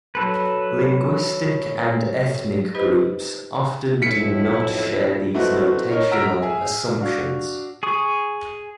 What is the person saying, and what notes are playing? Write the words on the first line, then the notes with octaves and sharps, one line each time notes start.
Linguistic and ethnic groups often do not share these notational assumptions.
F#3 A4 B4
D#4 G4 B4 C5 D#5
B1 F2 A2 E4 B6 C#7
A3 C4 D#4 E4 F#4 B4
D#4 A#4 C#5
F#5 A#5 E6 F6 B6 D7
G#4 E5 G#5
D4 F#4 F5
G#4 C#6 D#6